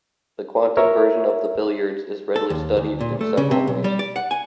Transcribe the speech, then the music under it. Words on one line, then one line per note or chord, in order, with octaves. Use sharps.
The quantum version of the billiards is readily studied in several ways.
A#4 C#5 E5
A4
D#2
D2
A#2
A3
C#3
C3
B1
G3
D5
F#5
G#5